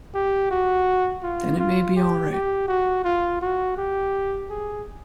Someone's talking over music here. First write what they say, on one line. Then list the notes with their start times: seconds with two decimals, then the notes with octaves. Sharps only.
Then it may be all right.
0.14 G4
0.51 F#4
1.23 F4
1.59 F4
1.96 G4
2.32 G4
2.68 F#4
3.04 F4
3.41 F#4
3.77 G4
4.50 G#4